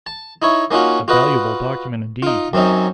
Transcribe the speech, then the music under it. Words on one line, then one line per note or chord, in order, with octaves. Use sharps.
'A valuable document, indeed!'
A5
D#4 E4 C#5
A#3 C#4 D#4 F4 F#4
F4 F#4 B4 D#5
D#4 F4
F#2 C4 C#4 D#4